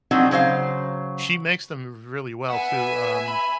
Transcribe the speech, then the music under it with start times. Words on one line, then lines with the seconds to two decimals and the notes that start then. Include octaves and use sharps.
She makes them really well, too, um,
0.11 F3 F#3 C4 D4 D#4 F#4
0.31 C#3 F#3 C5 F5
2.50 B3 E5 F#5 G#5
3.28 B5